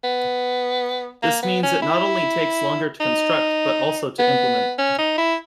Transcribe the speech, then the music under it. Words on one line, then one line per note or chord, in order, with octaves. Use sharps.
This means it not only takes longer to construct, but also to implement.
B3
A#3
B3
C#4
E4
D#4
B3
C#4
D#4
E4